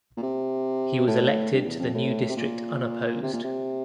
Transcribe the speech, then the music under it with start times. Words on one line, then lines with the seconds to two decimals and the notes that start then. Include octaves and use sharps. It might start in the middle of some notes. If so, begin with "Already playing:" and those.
He was elected to the new district unopposed.
0.17 A#2
0.22 C3
1.07 A2
1.51 G2
1.65 E2
1.79 F2
1.94 A2
2.29 C3
2.36 A#2
3.23 C3
3.33 A#2
3.44 C3